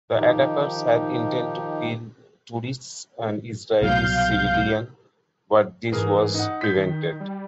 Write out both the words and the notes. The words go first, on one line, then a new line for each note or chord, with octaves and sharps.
The attackers had intended to kill tourists and Israeli civilians, but this was prevented.
D#3 F3 D#4 G4
C2 B2 F#3 F5 G6
G#2 E3 G#4 A#4
D#4 F#5
G6 B6
D#3
G3